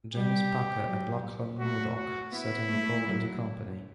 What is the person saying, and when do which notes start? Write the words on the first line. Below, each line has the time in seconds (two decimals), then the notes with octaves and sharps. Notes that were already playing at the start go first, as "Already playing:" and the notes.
James Packer and Lachlan Murdoch sat on the board of the company.
0.13 G3 G4
0.86 F#3
1.59 A3 F#4
1.95 F#4
2.32 B3 E4
2.68 A3
3.03 F#3